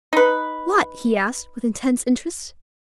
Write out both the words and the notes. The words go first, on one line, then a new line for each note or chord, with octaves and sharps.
"What?" he asked, with intense interest.
D#4 B4